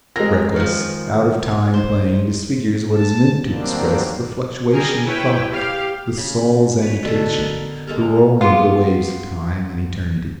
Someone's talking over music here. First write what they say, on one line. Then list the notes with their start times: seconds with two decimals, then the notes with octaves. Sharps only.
Reckless, out-of-time playing disfigures what is meant to express the fluctuation of thought, the soul's agitation, the rolling of the waves of time and eternity.
0.16 G#3 C4 A#4 A#6
0.56 D#3 F3
1.74 C5
2.94 A5
3.42 D#3 F#3 G3 A#3 C4 D4
4.72 G3 G#4 A#4 G#5
5.04 E4 B4 C#5 G5
5.53 G4 F5
6.16 C#3 B5
6.82 B4 C#5
7.03 B2 D3 A4
7.39 B3 A#4 F5
7.87 G#3 A#3 A4 A#4
8.41 B3 F4 F#4 G#4